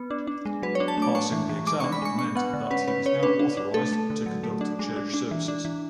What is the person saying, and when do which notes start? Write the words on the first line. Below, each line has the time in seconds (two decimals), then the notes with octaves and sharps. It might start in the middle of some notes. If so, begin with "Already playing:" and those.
Passing the exam meant that he was now authorised to conduct church services.
Already playing: B3
0.10 D4
0.27 D4
0.46 G#3
0.63 F#3 B4
0.75 C#5
0.80 D4
0.88 A5
0.97 A3 D6
1.15 D4 C#6
1.32 E3
1.49 E3
1.67 G#3 D6
1.80 C#6
1.84 D4
1.92 B5
2.02 G#3 C#6
2.18 D4 C#6
2.35 B3 F#5
2.53 D3
2.70 C#4 B4
2.88 C#4 B4
3.06 C#4 C#5
3.23 D4 B4
3.39 D4
3.57 D4
3.74 A3 A4
3.93 A3
4.10 D3
4.26 F#3
4.43 A3
4.61 D4
4.79 G#3
4.96 D4
5.14 D4
5.31 E3
5.48 D4
5.65 E3